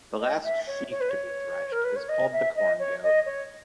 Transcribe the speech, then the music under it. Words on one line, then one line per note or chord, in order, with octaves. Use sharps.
The last sheaf to be threshed is called the Corn Goat.
D#5
E5
C#5
C#5
B4
C#5
A#4
B4
C#5
D#5
E5
D#5
C#5
D#5
C#5